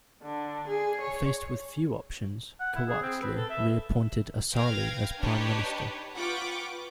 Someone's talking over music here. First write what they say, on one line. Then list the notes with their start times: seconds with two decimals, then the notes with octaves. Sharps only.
Faced with few options, Quwatli reappointed Asali as Prime Minister.
0.22 D3
0.68 G#4
1.01 C#5
2.60 F#5
2.75 E4
2.88 G#4
3.02 C4
3.22 B4
3.36 A4
3.50 E5
4.51 B4 F5 G5 G#6 A#6
5.20 D4 D#4 G4 B4 C#5
6.16 F4 B4 F#5 G5 C#6 D6